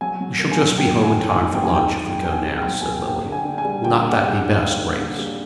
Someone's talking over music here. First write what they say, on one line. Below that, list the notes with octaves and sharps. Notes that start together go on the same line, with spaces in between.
"We shall just be home in time for lunch if we go now," said Lily. "Will not that be best, Grace?"
F#3 G#5
F#3
A#3
G#5
F#3
A#3 G5
F#3
G#5
D#3
G#5
D#3
F#3 G5
G#5
F#3 G5
F#3
D#3
G5
D#3 G#5
F#3
G5
F#3
G#5
A#3
A#3 G5
D3
G#5
D3
G#5
G3
D3 G5
A#3
F#5
G3
F#5
D#4
D3 F5
A#3
D3
G3